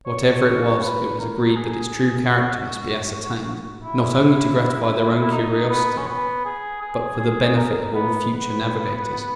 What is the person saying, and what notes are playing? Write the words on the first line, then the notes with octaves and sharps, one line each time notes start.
Whatever it was, it was agreed that its true character must be ascertained, not only to gratify their own curiosity, but for the benefit of all future navigators.
C#5
C#5
B4
A#4
G#4
F#4
E4
E4
D#4
B3
C#4
B3
G#4
G#4
G#4
A#4
B3
B3